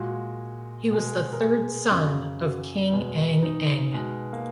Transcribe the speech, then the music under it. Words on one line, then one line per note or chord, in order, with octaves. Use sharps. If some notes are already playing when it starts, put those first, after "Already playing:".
He was the third son of King Ang Eng.
Already playing: A#2 G#3 F#4
B2 G#3
A#4
G#4
F#2 C#3 F#3
F#4
E2 B2 G#3
D#4
B2 G#3
A#3